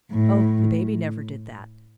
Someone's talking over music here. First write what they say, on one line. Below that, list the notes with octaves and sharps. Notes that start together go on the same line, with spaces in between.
Oh, the baby never did that.
A2